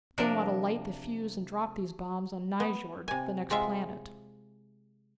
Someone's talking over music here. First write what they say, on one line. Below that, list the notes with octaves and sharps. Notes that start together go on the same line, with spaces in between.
They want to light the fuse and drop these bombs on Nyjord, the next planet.
C3 F3 D4 A#4
B3
C3 G#5
C3 G#3 F4 E5